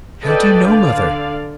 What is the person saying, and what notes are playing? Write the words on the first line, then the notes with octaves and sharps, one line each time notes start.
"How do you know, mother?"
A4 B4 D5 D#5 G5
D3 D5 F5